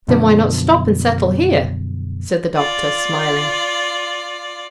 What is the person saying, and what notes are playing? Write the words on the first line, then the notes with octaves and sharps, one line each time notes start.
"Then why not stop and settle here?" said the doctor, smiling.
F#2 B2 D3 F3
F4 D5